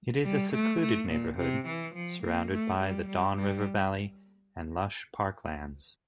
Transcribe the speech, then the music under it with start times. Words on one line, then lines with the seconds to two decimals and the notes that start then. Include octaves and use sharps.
It is a secluded neighbourhood, surrounded by the Don River Valley and lush parklands.
0.24 G3
0.53 A3
0.81 A3
1.09 A#2
1.38 C3
1.67 E3
1.95 F3
2.23 A#3
2.51 A3
2.80 G3
3.08 G3
3.36 G3